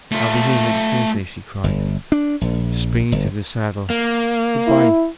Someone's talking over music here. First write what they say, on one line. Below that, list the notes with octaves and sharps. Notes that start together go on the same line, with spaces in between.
'I'll be here next Thursday,' she cried, springing to the saddle. 'Good-bye.
A3 F4
G1
D4
A#1
G1
A#3
E4